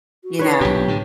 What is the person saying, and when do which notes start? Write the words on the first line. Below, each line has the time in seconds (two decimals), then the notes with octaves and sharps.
you know?
0.24 F#4
0.39 D4 B4 C#5
0.61 B1 A#2 G4
0.88 A2 D3